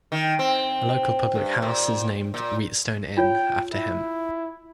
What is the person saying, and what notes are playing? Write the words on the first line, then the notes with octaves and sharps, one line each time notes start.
A local public house is named The Wheatstone Inn after him.
D#3
C4
G2
A#2
A#2
F4 C#5 G5
E4